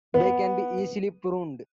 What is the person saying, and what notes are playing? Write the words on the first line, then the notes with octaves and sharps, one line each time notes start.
They can be easily pruned.
B3